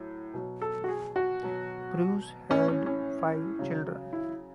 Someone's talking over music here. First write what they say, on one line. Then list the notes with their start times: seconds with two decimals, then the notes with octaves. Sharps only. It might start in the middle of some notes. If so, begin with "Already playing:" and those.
Bruce had five children.
Already playing: A2 F#3
0.34 B2 F#3
0.62 A4
0.84 F#4
0.88 G#4
1.16 F#4
1.43 B2 F#3
2.51 A2 E3 C#4
2.68 C#4
2.86 C#4
3.59 C#3 F#3
4.13 E4